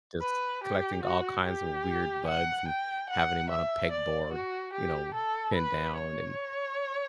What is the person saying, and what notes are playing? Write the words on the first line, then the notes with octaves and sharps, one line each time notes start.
just collecting all kinds of weird bugs and having 'em on a pegboard, you know, pinned down and
B4
G4
F#4
G4
F#5
G5
F#5
E5
D5
F#4
G4
A4
B4
C#5